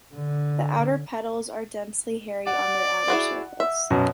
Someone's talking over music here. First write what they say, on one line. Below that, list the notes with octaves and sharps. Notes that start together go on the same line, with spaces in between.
The outer petals are densely hairy on their outer surface.
D3
D5 F#5
E4 F#4 G#4
E5
F#2 B2